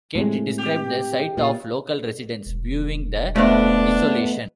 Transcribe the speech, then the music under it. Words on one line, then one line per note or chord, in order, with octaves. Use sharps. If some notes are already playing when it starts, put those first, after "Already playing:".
Kent described the sight of local residents viewing the desolation.
A2 C3 G#3
G4
A#2 F4
E1
F2 A3 B3 D4